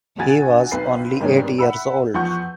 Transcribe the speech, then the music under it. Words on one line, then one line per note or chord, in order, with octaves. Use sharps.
He was only eight years old.
A#1 D3 F#4 G#5 G#6 A6
B1 C4 B4 C7
G#2 D#3 G3 B3 C#4 D4
E5 F#5 B5 E6
E2 F3 F#5 C#6 G6